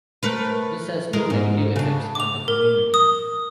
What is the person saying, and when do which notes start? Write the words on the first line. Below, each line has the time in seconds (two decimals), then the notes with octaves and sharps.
This has two negative effects on the community.
0.23 A3 A#4 B4
1.13 G#3 A#4
1.30 G#2
1.76 C#3 D4
2.15 D6 F7
2.48 A#4
2.94 D#6